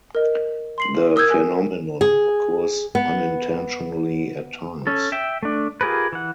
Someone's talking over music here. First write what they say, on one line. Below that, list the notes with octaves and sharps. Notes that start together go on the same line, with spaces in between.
The phenomenon occurs unintentionally at times.
A#4 D#5
C6 C7 F#7
A#4 D#6 E6 G6 G#6
G#5
G#4
B3
C#4 A4
E5 G5
A3 D4
F4 G4 G#4 A#4 B4
E3 F#5